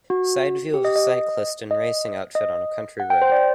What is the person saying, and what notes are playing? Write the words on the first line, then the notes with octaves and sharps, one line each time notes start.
Side view of a cyclist in racing outfit on a country road.
F#4
G4
D#5
D#5
D#5
D#5
F#5
G5
C5
D5